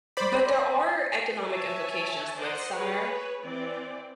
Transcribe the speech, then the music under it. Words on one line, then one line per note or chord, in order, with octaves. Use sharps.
but there are economic implications with summer.
C5 D5 B5
C#5 E5 G#5 A5
A#4 C5 D5 D#5 F#5
G#4 B4 C#5
E3 C4 D5